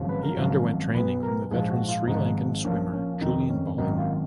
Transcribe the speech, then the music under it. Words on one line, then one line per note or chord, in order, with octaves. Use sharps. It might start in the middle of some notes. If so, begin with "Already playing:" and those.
He underwent training from the veteran Sri Lankan swimmer Julian Bolling.
Already playing: G#1 F#2 C#3 F3
B4
A#4
G#1 F#2 F3
B1 B2 B4
A#4
A#1 G#2 F3 G#4
F#4
F4
G#1 G#2 F3 D#4
A#1 A#2 F3 C#4
C#4
F2 D#3 D#4
C#4
G#1 F#2 D#3 D#4
F4